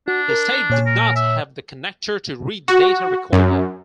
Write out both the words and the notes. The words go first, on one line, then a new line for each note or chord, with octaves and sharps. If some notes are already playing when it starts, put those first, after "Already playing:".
The State did not have the connector to read the data recorder.
D4 F#4
A#4
A#2 C#5 G#5
A#4
E5
F#4
F#2